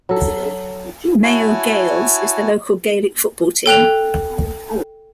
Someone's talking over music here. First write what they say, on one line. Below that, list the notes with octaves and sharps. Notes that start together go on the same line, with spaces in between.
Mayo Gaels is the local Gaelic football team.
F#3 A4
E4 F#4 C#5 G#5 A5
A4 G5 F#6 F7